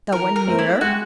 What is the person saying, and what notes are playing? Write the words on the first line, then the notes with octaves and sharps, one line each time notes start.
No one near.
E3 A#4
A#4
A3 C4
E4
G#3 F#4